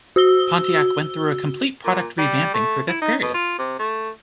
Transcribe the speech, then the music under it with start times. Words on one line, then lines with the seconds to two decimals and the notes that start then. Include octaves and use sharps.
Pontiac went through a complete product revamping through this period.
0.16 F#4 E6 G7
1.84 A#2
2.18 G3
2.54 A3
2.89 E4
3.02 D#4
3.22 B2
3.34 F4
3.59 C3
3.79 A3